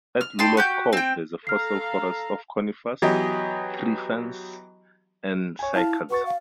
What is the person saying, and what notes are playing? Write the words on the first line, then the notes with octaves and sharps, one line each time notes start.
At Lulworth Cove there is a fossil forest of conifers, tree-ferns and cycads.
F6
D#4 A4 G5 C6
F#4 G4 G6
C4 G5
A4 F5 A#5 F6 C7
E3 F#3 B3 G4 D#5
C#5 G#5
E4 F5 A5 F6
F#4 B4 C#6 A6
F5